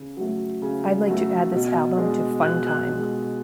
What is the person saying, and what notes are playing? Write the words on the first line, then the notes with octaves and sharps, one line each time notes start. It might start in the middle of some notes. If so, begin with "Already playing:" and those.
I'd like to add this album to funtime.
Already playing: C#3
F#3 A3
C#3
F#3 A3
B2
G#3 D4
B2 F#6
F#6
G#3 D4